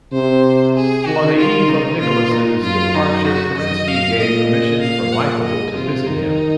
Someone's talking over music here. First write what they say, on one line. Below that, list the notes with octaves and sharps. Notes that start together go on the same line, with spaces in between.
On the eve of Nicholas's departure, Kerensky gave permission for Michael to visit him.
C3 C5
G#4
D#3 F#4
D#3 F4
C#3 D#4
A#2 F4
D#4
F#2 F4
D#4
F#4
F#2 D#5
F5
A#2 D#5
D#5
A#2 F5
F#5
D#5
C3 F4
D#3 D#4